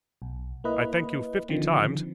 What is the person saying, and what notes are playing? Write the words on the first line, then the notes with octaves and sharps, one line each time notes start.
I thank you fifty times.
B1
A#3 E4 B4 D#5
D3 D#3 F3 C4